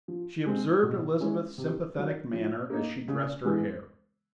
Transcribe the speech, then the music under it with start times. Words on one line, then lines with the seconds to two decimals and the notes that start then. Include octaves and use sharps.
She observed Elizabeth's sympathetic manner as she dressed her hair.
0.08 F3
0.46 G#3 C4
0.83 B2
1.20 G#3 C#4 E4
1.58 C3
1.95 D#3 F#3
2.33 F3
2.70 A#3 D#4
3.08 C#3
3.45 E3 G#3 B3